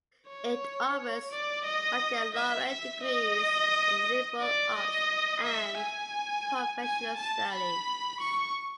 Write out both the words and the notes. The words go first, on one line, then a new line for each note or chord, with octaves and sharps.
It offers baccalaureate degrees in liberal arts and professional studies.
C#5
D5
D#5
E5
E5
D#5
D5
D#5
E5
G#5
G#5
A5
B5
C#6